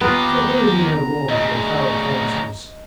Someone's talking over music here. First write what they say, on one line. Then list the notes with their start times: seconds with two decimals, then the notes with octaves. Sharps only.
So weary me no more with your coward counsels.
0.01 D#2 B3 F4 G4 B4 A#5
1.29 D2 C#3 D#5